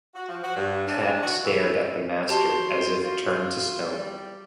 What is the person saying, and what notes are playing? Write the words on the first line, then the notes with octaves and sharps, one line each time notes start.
Pat stared at the master as if turned to stone.
F#4
F3
F#4
G2
D4
F#4
E3
F#4 G4 C5 A5
F4
G3